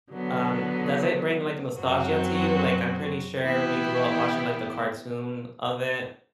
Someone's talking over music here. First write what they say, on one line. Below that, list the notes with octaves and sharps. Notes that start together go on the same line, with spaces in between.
um, does it bring, like, nostalgia to you? Like, I'm pretty sure we grew up watching, like, the cartoon of it.
D3 F#3 B3
F#2 F#3 C4 F#4
E3 B3 E4 G4